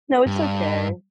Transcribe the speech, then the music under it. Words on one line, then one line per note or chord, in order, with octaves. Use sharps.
No, it's okay.
G2